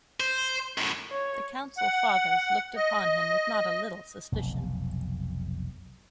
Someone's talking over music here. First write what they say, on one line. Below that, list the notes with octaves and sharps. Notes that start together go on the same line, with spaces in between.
The Council Fathers looked upon him with not a little suspicion.
C5
F#2 A2
C#5
F#5
D#5
F1 B1